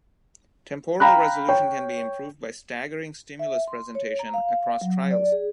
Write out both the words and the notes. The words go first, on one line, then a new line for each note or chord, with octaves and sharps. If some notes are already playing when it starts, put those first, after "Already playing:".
Temporal resolution can be improved by staggering stimulus presentation across trials.
F5 G5 A#5 B5 F#6
C#5 G5
E5
C6
C#5
A#5
F5
F#3
D5
G#4